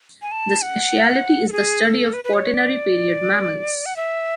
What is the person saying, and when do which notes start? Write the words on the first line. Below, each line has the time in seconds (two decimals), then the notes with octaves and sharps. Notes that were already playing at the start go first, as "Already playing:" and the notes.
The specialty is the study of quaternary Period mammals.
0.22 G#5
0.31 A5
0.62 F#5
1.49 A4
1.52 G#4
1.83 A4
2.13 B4
2.24 B4
2.33 C#5
2.54 D5
3.86 F#5
3.96 E5